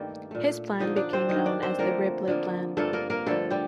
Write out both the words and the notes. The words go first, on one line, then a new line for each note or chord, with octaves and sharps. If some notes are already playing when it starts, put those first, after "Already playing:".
His plan became known as the "Ripley Plan".
Already playing: G2 D#3 G3 A3 A#3 A4
A#2 A3
D3 F3 A#3 D#4 D#5
D4 D5
C4 C5
G2 D#3 A#3 D#4 D#5
D4 D5
C4 C5
D3 F3 A3 A#3 A#4
D3 F3 A#3
G2 F3 A3 A#3 A4
A#3 A#4
A#3 A#4
G2 D3 F3 A3 A4
G3 G4